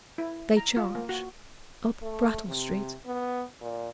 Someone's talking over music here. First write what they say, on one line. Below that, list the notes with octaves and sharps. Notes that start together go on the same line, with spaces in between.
They charge Up Brattle Street.
E4
A#5
F4
A#3
F#4
A3
C3
B3
A#2